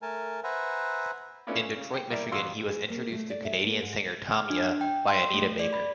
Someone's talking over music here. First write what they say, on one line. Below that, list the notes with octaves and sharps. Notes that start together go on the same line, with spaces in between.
In Detroit, Michigan, he was introduced to Canadian singer Tamia by Anita Baker.
A3 A#4 G#5 A5
B4 C5 E5 F#5 G#5 A#5
A3 B3 C#4 D4 E4 F4
C#4
C#3
G5
G3 A#3 E4 A#4 D5
A1 F#4 F5 C6 E6 F6
G#4
A#3
A3
D5
E5
A#3
G#2
F6
D4
G5
C6
A3
D5
B5